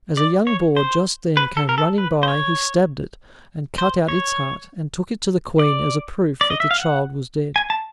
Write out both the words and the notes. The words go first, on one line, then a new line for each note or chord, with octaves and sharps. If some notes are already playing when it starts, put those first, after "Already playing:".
As a young boar just then came running by he stabbed it, and cut out its heart and took it to the Queen as a proof that the child was dead.
D5
C#5
C5
B4
A4
A#4
A4
B4
C5
C#5
C5
C#5
D5
D5
D#5
E5
F5
F#5
G#5
A5